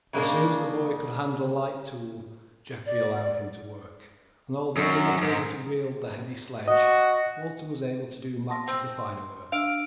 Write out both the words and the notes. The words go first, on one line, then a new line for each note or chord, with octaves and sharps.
As soon as the boy could handle a light tool Geoffrey allowed him to work, and although not able to wield the heavy sledge Walter was able to do much of the finer work.
C#3 G#3 A#3 D4 A#4
D5
F#2
G#2
F#4 D#5
A5 C6 A#6
C4 E6
C6
D4 F5 E6 D7